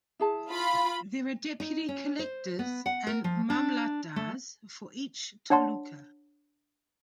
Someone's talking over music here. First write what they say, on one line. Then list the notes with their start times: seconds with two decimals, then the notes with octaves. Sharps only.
There are Deputy Collectors and Mamlatdars for each Taluka.
0.19 E4 G#4 A5
0.50 F4 B5
1.60 D#4
1.88 C#4
2.19 C5
2.59 B3
2.86 F#5
3.07 A#4
3.24 F3
3.50 D4
4.16 A3
5.50 D4 C#5 F#5 A5 C6